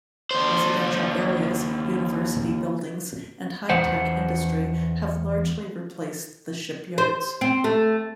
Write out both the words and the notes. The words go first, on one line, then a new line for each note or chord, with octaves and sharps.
Residential areas, university buildings and high tech industry have largely replaced the shipyards.
D#2 C5
E2 C5 F#5
C5
C4
A3